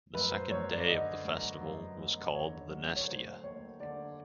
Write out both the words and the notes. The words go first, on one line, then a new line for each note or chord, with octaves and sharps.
The second day of the festival was called the "nesteia".
F#2 B4
C5
F#2 C#5
D5
D3 D#5
F#3
F#2
F#2
D3 C#5
F#3
C#5
A3 C5
D#2 C#5
D3 D5